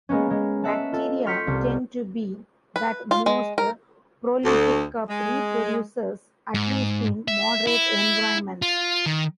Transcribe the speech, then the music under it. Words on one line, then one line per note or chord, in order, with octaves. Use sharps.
Bacteria tend to be the most prolific reproducers, at least in moderate environments.
G#3 A#3 B3 C#4
G#3
D#5 E5 F#5 A5
F4 A4
C6 C#6 F6 G6 B6 C#7
C2
B4
F4
G#3
A#4
D2
G#3
G#2
E5
E4
F4
D#3